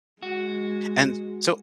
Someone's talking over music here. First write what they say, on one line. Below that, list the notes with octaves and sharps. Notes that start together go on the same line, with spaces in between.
And so
G#3 F#4